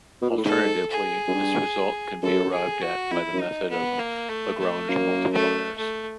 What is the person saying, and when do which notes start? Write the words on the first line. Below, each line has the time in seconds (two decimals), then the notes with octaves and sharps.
Alternatively, this result can be arrived at by the method of Lagrange multipliers.
0.22 B2
0.30 A#2
0.37 A2
0.44 G#2 A4
0.90 G#4
1.28 F#2
1.34 G2
2.22 F#2 A4
2.53 G#4
2.81 F#4
3.11 F2 E4
3.33 F#2
3.40 D#4
3.70 B3
3.99 A#3
4.29 A3
4.59 A3
4.89 F#2 A#3
5.33 A3
5.78 A3